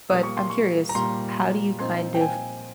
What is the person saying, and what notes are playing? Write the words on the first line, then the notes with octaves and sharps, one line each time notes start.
but I'm curious, how do you kind of
A#2 G3 A#3 D#6
C#6
C6
C#6
A#5
A#2 G3 A#3 C6
A#2 F3 C4 D#4 C6
G5
G#5